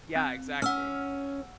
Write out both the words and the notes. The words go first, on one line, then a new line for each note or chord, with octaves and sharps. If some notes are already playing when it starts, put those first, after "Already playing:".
Yeah, exactly.
C4
C#4 F#5 E6 F6